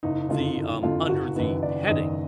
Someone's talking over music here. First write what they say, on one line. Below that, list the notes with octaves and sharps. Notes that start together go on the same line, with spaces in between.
the um, under the heading
F#1 D#4
F2 D3 F4
F#1
F2 D3 F4
F#1 F#4
F#2 D#3 B4
F#1 D5
F#2 D#3 D#5